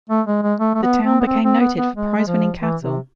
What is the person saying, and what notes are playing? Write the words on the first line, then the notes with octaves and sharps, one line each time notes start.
The town became noted for prize-winning cattle.
A3
G#3
G#3
A3
A3
B3
C4
B3
C4
C4
B3
B3
G#3
G#3
F3
E3
C3